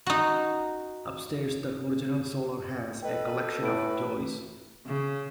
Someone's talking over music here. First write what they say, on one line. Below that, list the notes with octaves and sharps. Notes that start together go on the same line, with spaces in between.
Upstairs the original solar has a collection of toys.
D#4 F#4
A4 B4 D#5 G5
A2 B4 A5 B5 D7
C#3